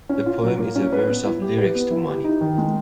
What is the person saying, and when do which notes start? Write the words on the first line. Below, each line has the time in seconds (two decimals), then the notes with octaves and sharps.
The poem is a verse of lyrics to "Money".
0.09 C#4
0.26 F4
0.43 F#3
0.60 A#3
0.76 C#4
0.93 B4
1.08 B3
1.25 E4
1.42 G4
1.58 B4
1.75 B3
1.91 E4
2.08 G4
2.24 D#4
2.41 D#3
2.58 G#3